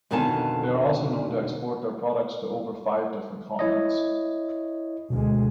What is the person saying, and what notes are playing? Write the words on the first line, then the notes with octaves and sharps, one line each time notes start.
They are also known to export their products to over five different continents.
F2 B2 D3 D#3 G#5 A5
E4 C#5 D#5
D2 B2 G#3